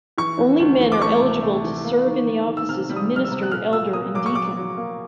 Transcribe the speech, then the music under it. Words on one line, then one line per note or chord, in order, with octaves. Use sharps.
Only men are eligible to serve in the offices of minister, elder, and deacon.
E3 C#6
E3
D2
E3
D6
A3 C#6
C3
A3
E3
A#3
D#3
D#3
D#3
E6
C3 F6
G3
D#6
G3
F6
E6
C3
F#6
A#2 F6
A#2 E6
A#3 D#6
F#3 D6
C#6
F#3 D6
F#3
A#3